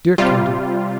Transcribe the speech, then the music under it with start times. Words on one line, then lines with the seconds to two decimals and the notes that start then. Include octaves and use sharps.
Dear Katie!
0.18 C3 G3 F4